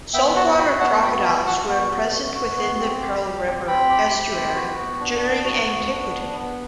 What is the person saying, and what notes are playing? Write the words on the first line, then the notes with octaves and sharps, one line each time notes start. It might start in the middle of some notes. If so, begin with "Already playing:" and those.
Saltwater crocodiles were present within the Pearl River estuary during antiquity.
B3 E5 G5
F#4 F#5 A5
F#4 G5 B5
B3 F#5 A5
B3 G5 B5
F#4 G5 B5
F#4 F#5 A5
B3
B3
F#4
F#4
B3
C4
G4
G4
C4
C4 G5 B5
G4
G4
C4
F#4
B3
D4
B3
F#4
B3
D4
B3
B3